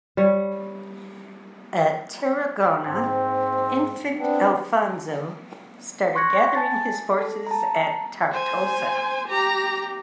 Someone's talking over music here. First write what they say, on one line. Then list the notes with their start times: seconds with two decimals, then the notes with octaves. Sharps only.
At Tarragona Infant Alfonso started gathering his forces at Tortosa.
0.17 G3 C#5
2.86 G#2 C4
4.17 B3 C4 D4
6.15 C6 C#6 F#6 G#6 A#6 C#7
6.55 G#5 A5 A6
7.18 A4
7.47 A5 A#5
8.32 C5 G#5
9.28 G4 A#5